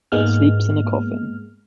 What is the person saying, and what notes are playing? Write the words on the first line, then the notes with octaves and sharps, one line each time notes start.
Sleeps in a coffin.
G#2 G#3 A#3 B3 F6